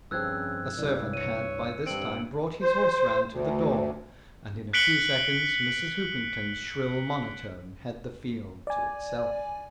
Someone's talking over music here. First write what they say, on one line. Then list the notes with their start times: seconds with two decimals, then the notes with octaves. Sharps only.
A servant had by this time brought his horse round to the door, and in a few seconds Mrs. Hoopington's shrill monotone had the field to itself.
0.11 G2 C#3 F3 C4 E6 F#6 G#6
0.78 C2 G2 D5
1.14 C#5 C#7 D#7
1.86 G2 C4 D4 D7 F#7
2.61 C5
3.31 D2
4.73 F#6 B6 C#7 D7 F#7 G7
8.67 D5 G#5